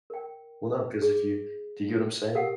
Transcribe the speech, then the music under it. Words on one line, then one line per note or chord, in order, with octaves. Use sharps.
Well, no. 'Cause if you do you get what I'm saying?
A#4 G5
G#4
G4 A4 A#4 F5 F#5